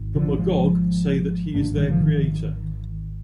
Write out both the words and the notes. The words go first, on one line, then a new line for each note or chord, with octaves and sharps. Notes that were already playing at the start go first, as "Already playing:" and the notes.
The Magog say that he is their creator.
Already playing: G#1
D3 F3
F3 G#3
G#1 G2 D3 A#3 D4
D#3 G3
D3 F3
D#3